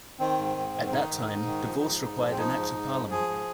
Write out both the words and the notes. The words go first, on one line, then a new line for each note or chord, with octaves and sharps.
At that time, divorce required an Act of Parliament.
D#3 C4
G#2
G#2
D#3
C4
D#3 D#4
G#2
G#2
D#3
F3
G#2
G#2
F3
C4
F3 D#4
G#2
G#2
F3
F3 G#4
G#2